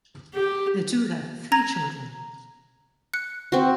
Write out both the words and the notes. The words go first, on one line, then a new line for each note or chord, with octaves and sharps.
The two have three children.
G4
A#5 G#6 A#6
F#6 C#7
C4 F#4